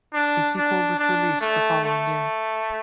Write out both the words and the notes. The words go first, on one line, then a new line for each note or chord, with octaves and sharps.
A sequel was released the following year.
D4
D4
D4
A3
A3